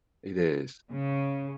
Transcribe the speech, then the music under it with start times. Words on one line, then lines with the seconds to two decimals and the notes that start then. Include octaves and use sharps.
It is.
0.92 C#3